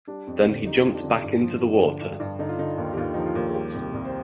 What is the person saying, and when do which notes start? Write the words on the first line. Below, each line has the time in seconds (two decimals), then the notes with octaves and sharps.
Then he jumped back into the water.
0.07 G3 D4
0.27 F2
0.47 D3
0.66 G3 D#4
0.80 F4
0.85 F2
0.95 D4
1.04 D3
1.10 D4
1.24 G2
1.43 F3
1.63 G2
1.81 D3
2.01 G2
2.20 G2
2.39 D3 D#4
2.49 F4
2.58 D3 D#4
2.78 D#2
2.93 G4
2.97 D#2 F4
3.14 F3 D#4
3.26 F4
3.35 D#2
3.49 G#4
3.54 G3 G4
3.75 C2
3.93 C2
4.05 C5